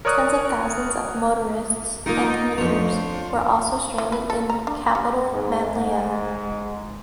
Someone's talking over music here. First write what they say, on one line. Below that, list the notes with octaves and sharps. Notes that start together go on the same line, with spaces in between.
Tens of thousands of motorists and commuters were also stranded in capital Manila.
A#4 C#5 D5 C#6 D#6 F#6
A#3 D#4 F4 A#4
F2 D4 F4 C5 C#5
E3
B4
A4
A#5
D4
G3
G#2
G#2